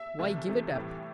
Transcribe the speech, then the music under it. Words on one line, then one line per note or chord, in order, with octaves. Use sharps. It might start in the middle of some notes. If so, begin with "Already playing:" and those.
"Why give it up?"
Already playing: E5
C2 C3 E3 A3
C2 C3 E3 A3
A2 E3 G3